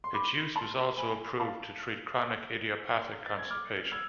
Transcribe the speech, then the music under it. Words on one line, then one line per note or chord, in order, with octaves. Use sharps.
Its use was also approved to treat chronic idiopathic constipation.
C6
B5 D6
A5 C6
G#5 B5
F5 A5
A6
G#6
D6 F6
E6 G#6